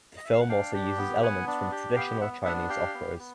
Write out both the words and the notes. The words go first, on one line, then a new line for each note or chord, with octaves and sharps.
The film also uses elements from traditional Chinese operas.
D#5
E5
F5
F#5
D4 F5 G5
G4
B3
B3 F#5 G#5
D4
G4
B3 F5 G5
B3 E5 F#5
D4 E5 F#5
G4 F5 G5
B3
B3